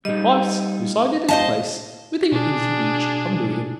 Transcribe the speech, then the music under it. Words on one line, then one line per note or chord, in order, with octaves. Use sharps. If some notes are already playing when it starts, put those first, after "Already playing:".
But Weiss resided at a place within easy reach of New Inn.
G3 D#4 D#5
G#2 C5 D#5 F5 A5
B2 D4 G#4